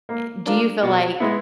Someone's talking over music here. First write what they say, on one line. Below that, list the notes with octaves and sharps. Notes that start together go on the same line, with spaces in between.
eh do you feel like
A#3
D4 F4 A#4
B2
G#3 B3 E4